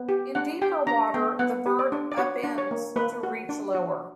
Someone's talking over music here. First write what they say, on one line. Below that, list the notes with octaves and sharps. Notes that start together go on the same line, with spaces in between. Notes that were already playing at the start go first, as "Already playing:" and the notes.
In deeper water the bird up-ends to reach lower.
Already playing: B3
G4
D4 F#5
G4 G5
D4 A#5
B3 G5
B3 F#5
G4
D5
D4
D5
F#4 C#5
D4
C#5
A#3
A#3 B4
F#4
D4
F#4